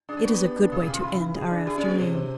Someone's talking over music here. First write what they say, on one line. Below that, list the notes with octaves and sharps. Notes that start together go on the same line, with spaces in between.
"It is a good way to end our afternoon."
D4 G#4
G4
B3 F#4
G4
B3
D4
C#3 G#4
G4
C#3
F4
C#3 E4
E3
G#4
D4
E4 G#4
C#4
B3 G#4
C3 C4
C3